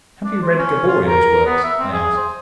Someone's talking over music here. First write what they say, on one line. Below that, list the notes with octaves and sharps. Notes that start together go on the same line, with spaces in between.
"Have you read Gaboriau's works?" I asked.
D4
C5
C#4
F4
A#4
B3
E5
C4
G#4
C5